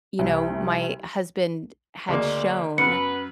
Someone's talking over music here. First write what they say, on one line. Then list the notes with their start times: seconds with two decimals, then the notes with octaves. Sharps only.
you know, my husband had shown
0.19 C2
2.08 D2 G#3 A#3 C#5 D5
2.78 F#2 B3 B4 F#5 C#7